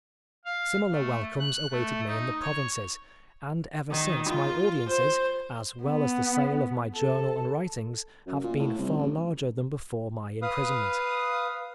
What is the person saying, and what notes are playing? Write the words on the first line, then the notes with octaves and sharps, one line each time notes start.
Similar welcomes awaited me in the provinces; and ever since my audiences, as well as the sale of my journal and writings, have been far larger than before my imprisonment.
F5
A3
F#6
A3
D#4
C#5
D#3
F4
C5
B3
A4
F#2
A#2
A2
C2
A1
B4 F5 D#6